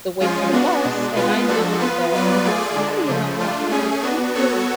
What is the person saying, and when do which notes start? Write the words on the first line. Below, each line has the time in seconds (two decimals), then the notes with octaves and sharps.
the wait for the bus and I knew that I had some money in my pocket, I'm like, "He could
0.20 F3 G#3 C#4 F4
0.52 B3 D4 F#4
0.84 B2 G#3 D4
1.16 G#3 B3 F4 B4
1.47 F3 G#3 D4 F#4 A4
1.80 B3 F4 B4
2.12 F#3 B3 F4 B4 D5
2.44 A3 F4 G#4 D5
2.75 D3 G#3 D4
3.08 C#3 F3 A3
3.40 A3 D4 F4
3.71 A3 C#4 G#4
4.02 B3 D4 F#4
4.35 B3 F#4 A4 C#5